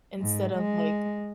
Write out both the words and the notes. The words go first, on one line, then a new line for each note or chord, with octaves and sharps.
Instead of like,
G#2
G#3